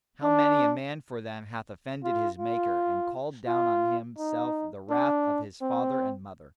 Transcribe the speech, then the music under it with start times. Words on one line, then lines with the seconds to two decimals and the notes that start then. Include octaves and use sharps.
How many a man for them hath offended his Maker and called down on him self the wrath of his father and mother!
0.23 D4
2.03 F4
2.38 F4
3.47 F4
4.18 D#4
4.90 D4
5.62 C4